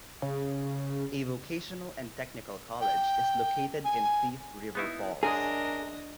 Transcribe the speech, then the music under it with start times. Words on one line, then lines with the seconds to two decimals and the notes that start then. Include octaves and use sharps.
A vocational and technical college is located in Thief River Falls.
0.22 C#3
2.81 G5
3.85 G#5
4.75 B3 D#4 E4
5.23 F#2 G#3 D4 G#4 A#4 D#5